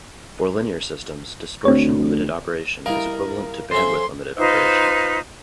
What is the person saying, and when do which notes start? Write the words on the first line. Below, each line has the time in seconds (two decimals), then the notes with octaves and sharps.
For linear systems, distortion-limited operation is equivalent to bandwidth-limited operation.
1.65 D2 C4 C#5
2.86 G3 E4 A#4 D#5 F5 A#5
3.71 F2 C#4 C5 E5 C6
4.38 D#4 F4 B4 C5